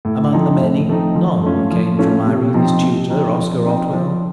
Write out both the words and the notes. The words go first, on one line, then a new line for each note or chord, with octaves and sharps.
Amongst the many, none came from Irene's tutor, Oscar Otwell!
A2
F3 A3 C4 D#4
A2
F3 A3 C4 D#4
F3
A3 C#4 F4
F3
A3 C#4 F4
C3
F3 C4 D#4
C3
F3 C4 D#4
F3
C4 D#4
F3